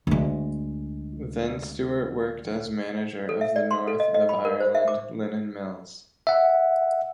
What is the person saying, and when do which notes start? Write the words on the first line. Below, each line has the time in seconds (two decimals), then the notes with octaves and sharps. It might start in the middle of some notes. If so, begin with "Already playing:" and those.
Then Stuart worked as manager of the North of Ireland Linen Mills.
0.07 D2 G#3
3.29 A4
3.41 E5
3.56 D5
3.71 C6
3.88 A4
4.00 D#5
4.14 D#5
4.29 B5
4.45 A#4
4.60 C5
4.75 E5
4.88 D6
6.27 E5 F#5